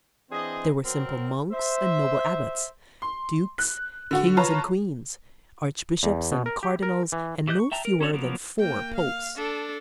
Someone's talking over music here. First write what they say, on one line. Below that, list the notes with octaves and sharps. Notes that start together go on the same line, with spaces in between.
There were simple monks and noble abbots; dukes, kings and queens; archbishops and cardinals and no fewer than four Popes.
E3 C4 D4 G#4 C5 D#5
B2 F#3 C4 A#4
C5 E5
C6
F#6
D3 F#4 F#5
F4 B4 C#5 A5 A#5
E2
B2
A#4
G4
A#4
E3
E3 G4 D#5 F#6 G6
C#6
E5 G5 A5 A#5
A#4
C#4 F#4 A4 C#5 D5
F3 F#3 A#3 B3 A#4
A#3 G5
F5
D4 A4